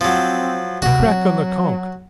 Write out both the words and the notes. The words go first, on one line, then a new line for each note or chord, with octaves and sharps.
A crack on the conk.
F3 F#3 C4
D2 C3 F#4
F#3 C4